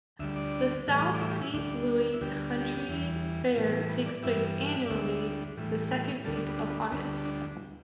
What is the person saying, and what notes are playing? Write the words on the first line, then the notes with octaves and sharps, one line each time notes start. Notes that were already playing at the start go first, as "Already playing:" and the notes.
The "South Saint Louis County Fair" takes place annually the second week of August.
D2 D3 G3 E5
D5
A2 E3 G3
D5
E5
G4
E4
D2 D3 G3 D4
E4
D2 D3 G3 G4
G4
E2 E3 G3
A2 E3 G3
B4
D5
G2 E3 G3 E5
D5
D2 D3 G3 E5
A2 E3 G3
B4
D2 D3 G3 A4
D4
B3
D4
B3
D4
D2 D3 G3 B3
D4